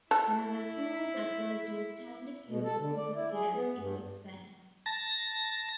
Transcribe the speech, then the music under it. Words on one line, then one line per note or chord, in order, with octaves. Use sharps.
When a vacuum is applied to a standard cubic foot of gas, it expands.
E4 A4
B2
A4
D3
D5
E4
G#4
B3
G2
A5 A#6